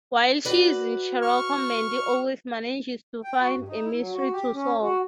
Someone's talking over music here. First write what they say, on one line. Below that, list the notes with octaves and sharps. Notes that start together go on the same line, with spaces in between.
While she is in Cherokee Mandie always manages to find a mystery to solve.
F#4 B4 D5
C#6 F6
G5
F#4
G2
D#4
E4
F#3
F#4
G4
C#4
F#4